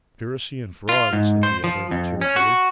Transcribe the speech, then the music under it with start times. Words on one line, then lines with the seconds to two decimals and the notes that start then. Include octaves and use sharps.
"Conspiracy and fraud," said the other cheerfully.
0.89 F4
1.13 G#2
1.43 C5
1.64 F3
1.91 F2
2.21 C#4
2.36 F#4